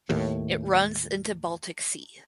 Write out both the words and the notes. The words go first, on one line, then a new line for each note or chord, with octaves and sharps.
It runs into Baltic Sea.
D#2 A2